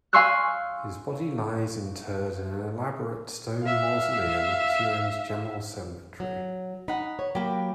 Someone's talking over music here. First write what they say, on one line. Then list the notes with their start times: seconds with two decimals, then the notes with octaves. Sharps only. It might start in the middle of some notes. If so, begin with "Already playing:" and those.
His body lies interred in an elaborate stone mausoleum at Turin's General Cemetery.
0.13 F5 G#5 C6 C#6 E6 F#6
3.63 E5 F5
6.20 F#3
6.88 D#4 F#5 B5
7.19 C#5
7.35 F#3 A#3 G4 B4